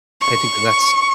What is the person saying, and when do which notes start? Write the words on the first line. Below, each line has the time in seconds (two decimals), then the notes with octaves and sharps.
I think that that's
0.21 C#6